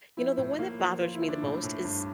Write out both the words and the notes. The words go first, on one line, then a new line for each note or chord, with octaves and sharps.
You know, the one that bothers me the most is
F3 E4
A2
A#3
F3
F3 F4
E4
F3
D4
A2
A2
G2